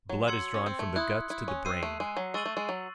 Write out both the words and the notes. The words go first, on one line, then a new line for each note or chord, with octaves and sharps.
Blood is drawn from the guts to the brain.
F#3
C6 E6 G#6 C#7 F#7
C#4
C4
A3
E4 C6 D#6 F#6
E4
C#4
C4 E6 C7 D#7
A3
G#3
F#3
G#3 C#6 E6 A6 D#7 F#7
A3
G#3
F#3